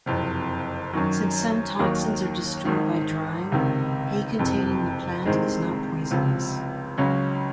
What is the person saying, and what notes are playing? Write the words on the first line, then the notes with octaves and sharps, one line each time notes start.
Since some toxins are destroyed by drying, hay containing the plant is not poisonous.
F#1 F2 C3
F#2 D#3 F#3
D#2 D#3 F#3 A#3
G#1 G#2 D#3
C#2 C3 D#3
F#1 F2 C3
C2 C3 D#3 G#3 C4
C#2 C3 F3
C#2 C#3 F#3 C#4